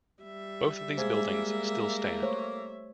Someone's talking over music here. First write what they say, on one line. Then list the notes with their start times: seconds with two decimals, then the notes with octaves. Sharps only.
Both of these buildings still stand.
0.23 G3 E5
0.98 G#3 A#3 G#4 C5
2.22 A3 C5 C#5